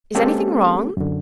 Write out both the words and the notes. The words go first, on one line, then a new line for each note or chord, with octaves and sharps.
"Is anything wrong?"
G#3 A#3 C4 C#4 G4 A4
F#2 D3